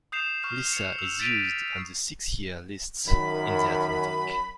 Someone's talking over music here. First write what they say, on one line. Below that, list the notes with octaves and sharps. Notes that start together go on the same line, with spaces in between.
Lisa is used on the six-year lists in the Atlantic.
D#6 G6 C7 E7 F7
C#6 F6 C7
C#7 F7
E6 F7
A6 B6 D7 D#7 F7
F#2 D#3 B5